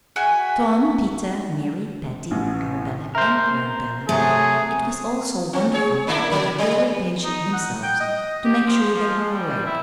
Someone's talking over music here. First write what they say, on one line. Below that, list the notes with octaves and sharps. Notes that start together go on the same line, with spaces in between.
To Tom, Peter, Mary, Patty, Arabella, and Clarabella, it was all so wonderful that they fairly pinched themselves to make sure they were awake.
F#4 G#4 E5 G#5
A1 A2
A#4 C5 E5
C3 F#3 A3 G#4
C4
G#4 C#5
A#3 D4 E4
F#3
G3
D#4
F#5
G5
D#5
G4
F3
F3
G3
E4